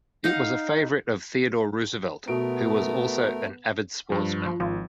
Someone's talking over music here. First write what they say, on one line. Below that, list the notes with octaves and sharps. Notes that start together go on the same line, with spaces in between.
It was a favorite of Theodore Roosevelt, who was also an avid sportsman.
D#4 F5 F#5
B2 A3 B3 A#4 D7
G2 F3
F3
G#1 F3